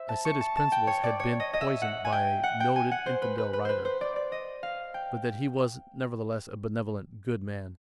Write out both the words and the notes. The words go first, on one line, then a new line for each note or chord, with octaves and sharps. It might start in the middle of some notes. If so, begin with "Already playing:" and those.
I said his principles had been poisoned by a noted infidel writer, but that he was, nevertheless, a benevolent good man.
Already playing: C5 E5
A5
C#6
A5
A5
G5
C#5
D5
C#5
D#5
D#5
E5
F#5
G#5
G5
F#5
G5
G#5
F#5
C5
B4
B4
B4
B4 C5
C5
D5
D5
D#5
F5
G5